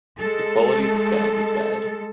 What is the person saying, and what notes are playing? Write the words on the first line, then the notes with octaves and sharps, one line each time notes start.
The quality of the sound was bad.
G#3 A4